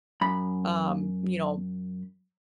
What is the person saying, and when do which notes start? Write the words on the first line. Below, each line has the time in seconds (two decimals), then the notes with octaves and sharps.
um, you know,
0.21 F#2 B5